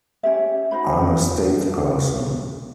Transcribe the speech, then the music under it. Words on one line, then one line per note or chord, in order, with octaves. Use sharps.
I'm a statesperson.
C#4 G4 E5
D#4 F#4 C5 B5
B4
A4